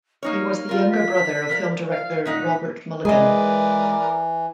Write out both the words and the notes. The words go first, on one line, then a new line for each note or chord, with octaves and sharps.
He was the younger brother of film director Robert Mulligan.
A#3 D#4 C#5 F6
F4 A#4
B6
F3 A#4 D5
F5
A#2 D#4 F#5 B6
E3 G#3 G#4 A#4 B4 D5 D#5